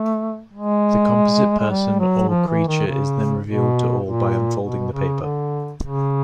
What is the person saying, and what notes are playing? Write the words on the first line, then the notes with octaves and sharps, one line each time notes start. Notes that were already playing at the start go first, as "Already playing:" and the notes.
The composite person or creature is then revealed to all by unfolding the paper.
Already playing: A3
G#3
G#3
G3
F#3
F3
E3
D#3
C#3
B2
A#2
B2
C#3
D3
C#3